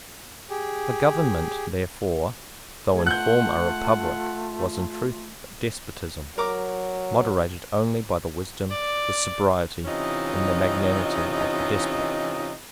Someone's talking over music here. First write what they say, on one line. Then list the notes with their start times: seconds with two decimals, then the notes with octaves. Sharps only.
The government, therefore, though in form a republic, was in truth a despotism, moderated only by the wisdom, the sobriety, and the magnanimity of the despot.
0.50 G4 G#4
2.93 A3 G#4
3.07 F4 F#5 F#6 G6
6.38 F#3 A#4 A#5 D6
8.71 D5
9.86 C3 E3 C#4 D#4 F4 D#5